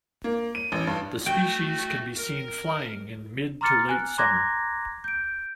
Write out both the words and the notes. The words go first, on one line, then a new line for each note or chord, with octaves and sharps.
The species can be seen flying in mid- to late summer.
A#3
D#7
A1
G2
A3 F#4 G5
A#4
A#5 C6 D6 F6 A6 C#7
G#5 F#6
A#5 C6 D6 F#6 G#6 A#6
G6 D7